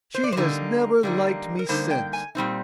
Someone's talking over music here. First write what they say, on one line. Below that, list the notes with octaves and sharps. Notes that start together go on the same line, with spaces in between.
She has never liked me since.
C5
D5
C5
D3 G3 A#3 D#4
D3 G3 A#3 D#4
A#4
D3 G3 A#3 D#4 C5
G5
G#5
A#2 G3 C4 D#4